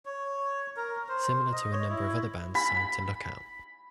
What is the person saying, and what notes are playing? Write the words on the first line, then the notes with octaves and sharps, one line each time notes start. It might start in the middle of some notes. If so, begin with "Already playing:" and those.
Similar to a number of other bands signed to Lookout!
C#5
A#4
C5
D#5
C#5
E4
B5